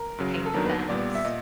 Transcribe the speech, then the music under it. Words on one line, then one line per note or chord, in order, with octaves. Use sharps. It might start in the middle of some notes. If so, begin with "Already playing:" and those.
paint the fence,
Already playing: A#4
F#2 C#3 F#3
A4
D#2 D#3 F#3 B3 D4 A#4
B4
A#2 G3 B3 D5
E5
A#2 D#5